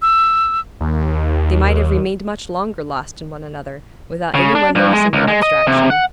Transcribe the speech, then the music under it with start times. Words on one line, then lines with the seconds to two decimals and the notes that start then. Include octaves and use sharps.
They might have remained much longer lost in one another, without any one noticing their abstraction.
0.02 E6
0.81 D#2
4.35 C#3
4.55 D4
4.75 G2
4.93 G#3
5.13 C#2
5.28 G#3
5.43 D#5
5.67 C3
5.90 F#5